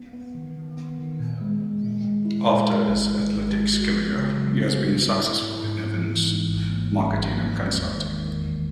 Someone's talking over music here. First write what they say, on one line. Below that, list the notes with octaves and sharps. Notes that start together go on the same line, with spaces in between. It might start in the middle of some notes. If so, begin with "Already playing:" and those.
After his athletics career, he has been successful in events marketing and consulting.
Already playing: B3
B3
D#3
D#3
B3
D#3
A#2
G#3
G#3
A#2
G#3
E4
G#3
G#3
G#1
G#1
G#1
G#3
F#4
B3
C#3
F#3
B3
F#4
E4
E4
G#2
G#2
B3
E3
G#2
G#1
A#3
G#2
G#1
A#3
G#3
E2
D#3
D#3
E2